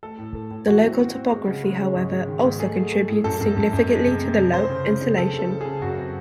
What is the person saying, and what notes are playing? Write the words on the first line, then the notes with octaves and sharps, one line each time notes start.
The local topography, however, also contributes significantly to the low insolation.
A3 A4
A2
A3
A2
E3 F#4
C4
C4
C4
G#3
C#3
G#3
C#4
G#2
G#3
D#3
G#2
A3 G#4
A3
A3
A2
F#2 A4
F#2
F#2
F#2
G#3
C3
C3
C3
C4 C5
C#3
C#3
C#3
C4 A4
C#3
A4
C#3
C#3 G#4
F#2 F#4
C4